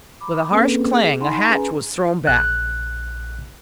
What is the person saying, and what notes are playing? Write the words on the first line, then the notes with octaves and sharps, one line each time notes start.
With a harsh clang a hatch was thrown back.
A#5 B5 D6
A#3 C4 C#4 G#4 A4 B4
G#4
D#4 E5 F#5 G#5 B5 C6
C#4 G#4 B4 G#5 A#5
A#1 F#6